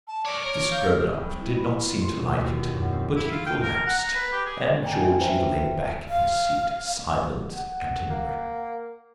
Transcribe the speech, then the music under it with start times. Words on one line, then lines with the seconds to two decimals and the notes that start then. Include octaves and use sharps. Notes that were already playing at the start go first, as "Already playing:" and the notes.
This grown-up did not seem to like it, but he collapsed, and Georgie lay back in his seat, silent and enraptured.
0.07 A5
0.25 A#4 C#5 D5 D6
0.43 A#4 C#5
0.71 F5 G6
1.14 C2
1.41 E4
1.56 B5
1.85 F4
2.01 C6
2.17 B2
2.41 D#2
2.74 F#2
2.92 C4
3.16 E4
3.32 F4
3.46 G5
3.62 A#4
3.75 A#5
3.86 F#5
3.98 A#5
4.15 B4
4.32 G4
4.46 G#4
4.83 D5 G5 G#5 A#5
5.21 B4 C5 E5 G5 A#5
6.09 F5
7.53 F#5
8.10 A#3